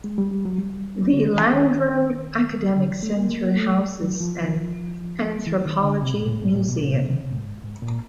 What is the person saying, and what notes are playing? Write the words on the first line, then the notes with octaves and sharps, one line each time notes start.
The Landrum Academic Center houses an Anthropology Museum.
G#3
G3
G3
F#3
G3
D3
D#3
E3
D#3
D3
E3
A3
A#3
A#3
A3
F#3
F3
E3
D#3
D3
C3
A#2
G#2
A2
G#2
A2
B2
A#2
B2
C3
A2
G#2
G#2
A#2